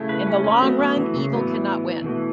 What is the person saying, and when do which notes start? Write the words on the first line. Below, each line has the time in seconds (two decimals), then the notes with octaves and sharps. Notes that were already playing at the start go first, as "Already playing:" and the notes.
in the long run, evil cannot win.
Already playing: C#3 A3 E4
0.09 B4
0.27 C#4
0.44 C#4
0.61 F#3 A3 B3 F#4
0.79 B3
0.97 E3
1.14 C#3
1.31 A2 E3 F#3 B3 F#4
2.02 B2 E3 A3 F#4